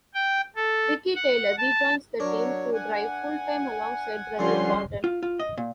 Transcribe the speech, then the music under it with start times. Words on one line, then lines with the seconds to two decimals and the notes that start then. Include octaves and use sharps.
Ricky Taylor rejoins the team to drive full-time alongside brother Jordan.
0.14 G5
0.56 A4
1.15 F#5
1.58 A5
2.20 F#3 D4 A#4 C#5
2.74 F#5 G#5
4.39 D3 F3 G3 C#4 C6
5.04 F4
5.23 F4
5.39 D#5
5.57 A#2